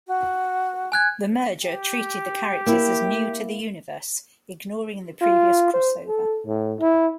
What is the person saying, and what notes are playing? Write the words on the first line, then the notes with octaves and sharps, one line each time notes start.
The merger treated the characters as new to the universe, ignoring the previous crossover.
F#4
G#5 F#6 G#6
G4
A#3 E4
F4
C5
A4
A2
E4